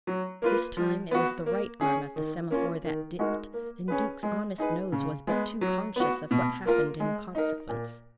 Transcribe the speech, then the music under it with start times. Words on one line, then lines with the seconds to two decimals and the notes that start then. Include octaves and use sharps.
This time it was the right arm of the semaphore that dipped--and Duke's honest nose was but too conscious of what happened in consequence.
0.07 F#3
0.42 A#3 F4 B4
0.77 F3
1.11 B3 F#4
1.46 A#3
1.81 C#4 G#4
2.16 D#3
2.50 A#3 C#4 F4
2.85 D#3
3.19 G#3 D#4 F#4 A#4
3.54 A#3
3.88 C#4 G#4 B4
4.23 G#3
4.58 D#4 G#4 B4
4.92 C#3
5.27 G#3 B3
5.61 F#3
5.96 B3 F#4
6.31 B2
6.66 A#3 F4 A#4
7.00 G#3
7.35 D#4 A#4
7.69 A#2